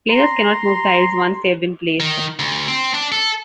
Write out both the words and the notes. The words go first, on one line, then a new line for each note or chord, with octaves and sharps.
Players cannot move tiles once they have been placed.
A#5 C6
D#3
D2
C4
D4
A4